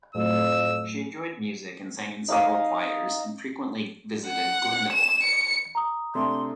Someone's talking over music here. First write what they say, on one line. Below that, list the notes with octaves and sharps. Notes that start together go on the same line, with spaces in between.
She enjoyed music and sang in several choirs and frequently visited Glyndebourne.
F2 A2 F#3 A3 E6
D#4 F5 D#6
F#5
E7
C#7
A#5 D#6
C3 A3 D4 C6